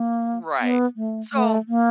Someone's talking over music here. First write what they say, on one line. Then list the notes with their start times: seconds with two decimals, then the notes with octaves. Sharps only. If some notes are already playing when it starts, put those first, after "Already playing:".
Right. So
Already playing: A#3
0.61 B3
0.96 A3
1.33 A3
1.68 A#3